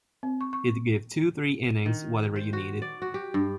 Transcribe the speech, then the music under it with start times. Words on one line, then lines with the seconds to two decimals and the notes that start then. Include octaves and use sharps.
He'd give two, three innings - whatever you needed.
0.23 C4
0.41 C#6
0.53 C#6
1.86 D#3
2.36 C5
2.53 F#4
2.82 D5
3.02 F#4
3.14 G4
3.34 G2